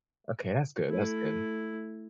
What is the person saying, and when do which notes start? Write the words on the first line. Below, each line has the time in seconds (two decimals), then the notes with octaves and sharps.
Okay. That's good, that's good.
0.87 A3 E4